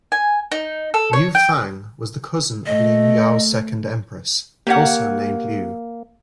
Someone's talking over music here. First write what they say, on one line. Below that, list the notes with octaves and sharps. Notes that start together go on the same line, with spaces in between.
Liu Fang was the cousin of Liu Yao's second empress, also named Liu.
G#5
D#4
A4
C#5
G5
A3 D#5
A#3 G4 C#5 F#5